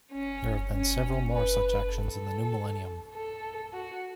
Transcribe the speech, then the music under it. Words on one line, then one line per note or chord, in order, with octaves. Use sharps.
There have been several more such actions in the new millennium.
C#4
C#4
B4
A4
A4
F#4